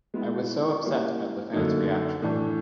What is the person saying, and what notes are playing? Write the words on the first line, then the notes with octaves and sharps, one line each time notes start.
I was so upset at the fans' reaction.
G#3 B3 E4
G3 A#3 C#4 E4
F#2 D3 F#3 A#3 D#4
A2 E3 A3 D4